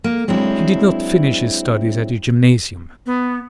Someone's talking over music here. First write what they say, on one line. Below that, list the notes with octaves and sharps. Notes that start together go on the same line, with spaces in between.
He did not finish his studies at the gymnasium.
A#3
F#3 G#3 C4 D4 E4
B3